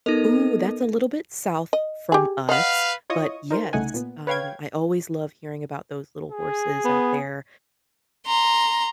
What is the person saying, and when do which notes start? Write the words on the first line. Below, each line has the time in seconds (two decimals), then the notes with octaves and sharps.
Ooh, that's a little bit south from us. But, yes, um, I always love hearing about those little horses out there,
0.06 B3 D#4 A4 A#4 D#5
1.73 D#5
2.12 G4 G#4
2.49 B4 D#5 F5 F#5
3.10 E4 F4 C#5 D#5 C#6 D#6
3.51 D#4 A#4 C5
3.73 C2 C#3 A3 D#4 F#5 G#5
3.94 A#2 B3
4.27 B4 C#5 F5 G5 G#6
6.32 G#4
6.85 B3
8.26 A#5 C6